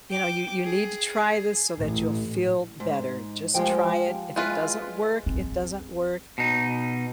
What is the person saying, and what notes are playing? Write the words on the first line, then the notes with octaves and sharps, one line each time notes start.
"You know, you you need to try this so that you'll feel better. Just try it. If it doesn't work, it doesn't work.
G5 D6
G#4
A1
G#2
F3 G#3 G4 G5
G#3 F4 B4
C4
B2 D#4